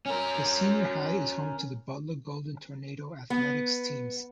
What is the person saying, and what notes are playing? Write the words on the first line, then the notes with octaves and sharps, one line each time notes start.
The Senior High is home to the Butler Golden Tornado athletics teams.
C#4 A#4
B3